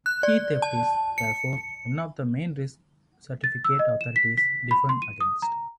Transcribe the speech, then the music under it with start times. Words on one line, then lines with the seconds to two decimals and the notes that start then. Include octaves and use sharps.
Key theft is therefore one of the main risks certificate authorities defend against.
0.06 F#6
0.23 D5
0.62 A5
1.18 C#7
3.44 A6
3.64 E6
3.79 D#5
4.01 E7
4.16 B6
4.37 B6
4.71 B5
4.89 C6
5.02 D#7
5.20 D#6
5.42 A#5